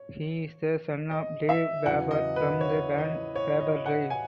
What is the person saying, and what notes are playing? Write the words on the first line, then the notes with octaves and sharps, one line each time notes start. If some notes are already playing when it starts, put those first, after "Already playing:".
He is the son of Dave Faber from the band Faber Drive.
Already playing: C#5
D#5
E5
E2 C#3 F#3 F#5
D#5
B4
C#5
D#5
C#5
D#5
F#5
G#5